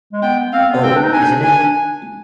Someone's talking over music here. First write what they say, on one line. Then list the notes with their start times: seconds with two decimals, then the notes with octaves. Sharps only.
Oh, isn't it!
0.13 G#3
0.22 B3 G5
0.52 C4 F5
0.68 B3
0.83 C4 G5
0.95 D4
1.03 D#4
1.13 D4 G#5
1.43 D4 G#5
1.63 D4